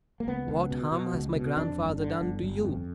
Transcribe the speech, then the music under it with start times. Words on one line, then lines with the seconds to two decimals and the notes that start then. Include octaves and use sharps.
What harm has my grandfather done to you?
0.20 A#3
0.27 C#2 B3
0.48 C#2
0.70 B2
0.92 B2
1.14 C#2
1.35 B2
1.57 F2 D4
1.78 G1
2.00 D3
2.21 G1
2.43 G1
2.65 F2